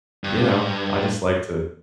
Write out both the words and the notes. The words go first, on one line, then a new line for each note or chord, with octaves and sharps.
you know, I just like to
G2